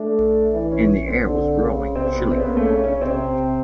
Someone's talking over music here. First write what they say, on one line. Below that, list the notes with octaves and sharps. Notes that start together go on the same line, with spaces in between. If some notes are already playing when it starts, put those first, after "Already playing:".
And the air was growing chilly.
Already playing: A3 D4
E3
C#4
C4
D3
C#3
C3 C4
B3
C#3 C4
B3
A#3
A3
C#4
C#4
C3 C4